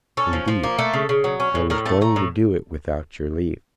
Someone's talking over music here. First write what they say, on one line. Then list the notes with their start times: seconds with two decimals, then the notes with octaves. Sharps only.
Indeed, I was going to do it without your leave.
0.17 C#4 A4
0.33 F3
0.48 F3
0.63 A#3
0.78 A3 A4
0.93 C#3
1.09 C#3
1.24 F#3
1.40 C#4
1.55 A2
1.70 A2 A#4
1.86 A3 A5
2.01 A3 A#5
2.16 A2